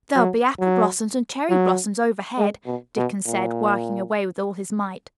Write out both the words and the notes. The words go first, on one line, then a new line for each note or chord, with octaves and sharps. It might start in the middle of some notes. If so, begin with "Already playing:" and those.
"There'll be apple blossoms an' cherry blossoms overhead," Dickon said, working away with all his might.
F#3
F#3
F#3
G#3
B2
B2
A#2